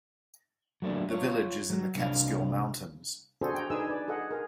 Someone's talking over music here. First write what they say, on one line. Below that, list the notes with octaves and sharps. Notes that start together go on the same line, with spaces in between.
The village is in the Catskill Mountains.
F#3 A3 A#3 D4
F4 C#5
F#3
C2 D4 F5
D4 F#4 G#4 A4 C5
G5 A#5
D4 D#4 G#4 B4 G#5 E6
B4 D5
G#4 A4 D#5 F#5
G#4 A#4